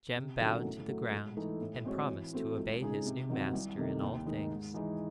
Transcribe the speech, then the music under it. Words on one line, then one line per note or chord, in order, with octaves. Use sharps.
Jem bowed to the ground, and promised to obey his new master in all things.
C3
D#3 F#3 A3 C#4
A2
F#3 A3
G#2
E3 A3 D#4 A4
A2
G#3 C4 F#4 C#5
E3
A3 C4 F#4
C#2
C#3 G#3 D#4 G#4
C3
D#3 F#3 C4
C2
C3 D#3 A3
D#2
D#3 G#3 D#4
G#2
E3 G#3 D#4 G#4